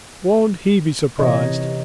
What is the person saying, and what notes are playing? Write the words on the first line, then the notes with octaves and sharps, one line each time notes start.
"Won't he be surprised!"
C3 E3 D#4 C#5 D#5